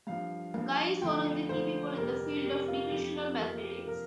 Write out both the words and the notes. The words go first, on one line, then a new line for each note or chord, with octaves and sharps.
Guy is one of the key people in the field of recreational mathematics.
G2 F3 F5
G2 F3
D2 D3 F3 G5
D2 D3 F3 C5
F2 C3 G3 A#4
F2 C3 G3 G4
F4
F2 F3 G4
F2 F3 A#4
G4
C3 F3 A#4